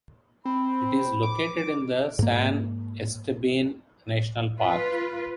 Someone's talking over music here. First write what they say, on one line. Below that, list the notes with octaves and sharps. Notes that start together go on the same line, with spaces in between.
It is located in the San Esteban National Park.
C4 B5
D6
G#2 A#3
F4 B4